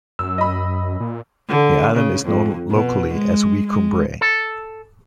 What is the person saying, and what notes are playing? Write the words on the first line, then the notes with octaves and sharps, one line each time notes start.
The island is known locally as Wee Cumbrae.
F#2 E6
D#5 B5
A#2
D3
C#3
F2
B2
G#3
G#3
A4